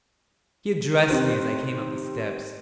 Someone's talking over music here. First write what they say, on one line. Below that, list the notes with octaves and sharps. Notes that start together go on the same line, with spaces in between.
He addressed me as I came up the steps.
C3 D#3 C4 F#6